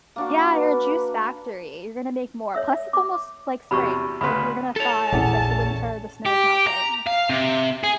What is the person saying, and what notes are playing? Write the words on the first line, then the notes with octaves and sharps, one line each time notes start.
Yeah, you're a juice factory. You're gonna make more. Plus it's almost, like, spring. Like you're gonna thaw, like, the winter, the snow is melting. It's
A#3 D4 F#4
B4
C#5 E5 E6
D6
E2 C3 F#3 B5 C#6
D2 C#3 B4 B5 C6
A4 C#5 A5
A#1 E2 C#4
G4
A#5
F5
C3
G#4